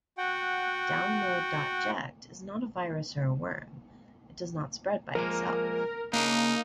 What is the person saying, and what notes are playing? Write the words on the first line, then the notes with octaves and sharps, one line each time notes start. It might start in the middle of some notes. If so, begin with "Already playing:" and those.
Download.ject is not a virus or a worm; it does not spread by itself.
F#4 F#5 G5
F3 G#3 A#3 A#4
C#3 A#3 D4 D#4